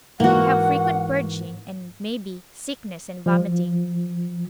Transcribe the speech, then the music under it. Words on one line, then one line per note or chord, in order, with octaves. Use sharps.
We have frequent purging and, maybe, sickness and vomiting.
G#2 E3 A#3 F#4 F#5
F3